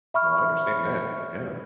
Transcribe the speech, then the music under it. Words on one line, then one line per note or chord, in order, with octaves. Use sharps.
No, I understand that. Yeah.
E5 B5 C#6 F6